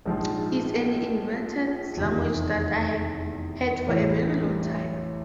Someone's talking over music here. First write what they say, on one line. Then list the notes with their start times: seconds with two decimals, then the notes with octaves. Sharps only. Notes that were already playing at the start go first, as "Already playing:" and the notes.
It's an invented language that I've had for a very long time.
0.06 A#1 G#2 F3 G#3
1.96 F1 E2 C3 D#3
3.87 A1 A2 E3